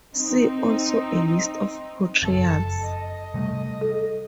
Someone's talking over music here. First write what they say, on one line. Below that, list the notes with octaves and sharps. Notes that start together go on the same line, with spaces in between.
See also a list of portrayals.
C4 D#4
F#1 F2 A4
D#5
C3 G3 A3
A4